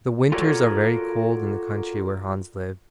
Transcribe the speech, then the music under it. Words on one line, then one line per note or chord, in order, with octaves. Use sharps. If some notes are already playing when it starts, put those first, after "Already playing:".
The winters are very cold in the country where Hans lived.
F4 F#4 A4 A#4 C#5 D5